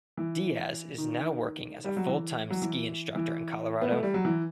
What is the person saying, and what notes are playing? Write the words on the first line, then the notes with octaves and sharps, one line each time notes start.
Diaz is now working as a full time ski instructor in Colorado.
E3
D#3
G3
F#3
E3
F#3
E3
E3
B3
A3
G3
F#3
E3